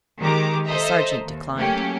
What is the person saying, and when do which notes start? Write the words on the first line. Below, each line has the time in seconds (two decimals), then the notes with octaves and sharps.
The sergeant declined.
0.20 D#3 G#3 G4 A#5 D6
0.65 A4 C5 D#5 E5 A#5
1.25 D#2
1.57 F#3 A3 A#3 C#4 G4